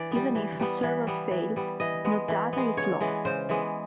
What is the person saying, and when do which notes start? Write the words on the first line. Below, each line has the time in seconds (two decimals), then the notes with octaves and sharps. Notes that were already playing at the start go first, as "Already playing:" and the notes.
Even if a server fails no data is lost.
Already playing: E3 D5
0.11 G3 B3
0.35 E3
0.60 G3 B3
0.83 E3
1.07 G3 B3
1.31 E3
1.56 G3 B3
1.80 E3 D#5
2.05 G#3 B3
2.28 E3
2.53 G#3 B3
2.77 C#3 C#5
3.01 E3 G#3 B3
3.25 C#3 C5
3.49 E3 G#3 B3